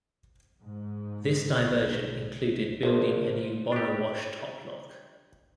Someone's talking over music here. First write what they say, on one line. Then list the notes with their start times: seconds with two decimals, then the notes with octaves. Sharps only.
This diversion included building a new Borrowash Top Lock.
0.62 G#2
1.57 B1
2.83 A#1 F3
3.72 D4 G4